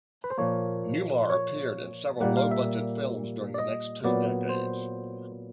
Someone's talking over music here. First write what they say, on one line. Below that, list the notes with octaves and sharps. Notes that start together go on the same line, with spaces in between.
Newmar appeared in several low-budget films during the next two decades.
B4
C5
A#2 F3 A#3 C#5
C#5
A#2 G3 A#3 F#5
F5
E5
D5
D#5
A#2 F#3 B3 D5
C5